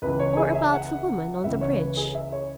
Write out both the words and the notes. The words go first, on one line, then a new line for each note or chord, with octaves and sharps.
Or about the woman on the bridge?
C#2 C#3 E3 B4
C#5
G#4
E5
F#5
C#2 C#3 E3 E5
C#5
B4
G#4
E5
C#5